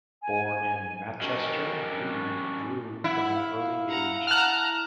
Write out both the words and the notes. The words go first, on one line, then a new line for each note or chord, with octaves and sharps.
Born in Machester, Reid drew from an early age.
G#5
C#4 D4 F#4 G4 A#4 D#5
E4 F#5
F5
F#5 A#5
F#5 A5 A#5 F6 F#6